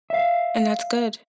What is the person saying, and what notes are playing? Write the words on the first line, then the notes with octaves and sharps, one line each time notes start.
And that's good.
E5 F5